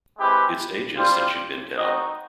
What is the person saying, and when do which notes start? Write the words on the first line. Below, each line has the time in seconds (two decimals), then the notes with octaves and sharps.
It’s ages since you’ve been down.
0.19 G#3 C4 E4 G4 B4
0.98 G3 C4 F4 C5
1.77 C4 D#4 F#4 D#5